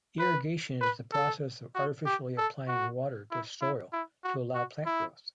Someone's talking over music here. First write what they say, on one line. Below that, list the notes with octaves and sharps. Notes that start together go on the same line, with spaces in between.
Irrigation is the process of artificially applying water to soil to allow plant growth.
B4
B4
A4
F#4
G4
A4
F#4
E4
E4
E4
F#4
F#4
E4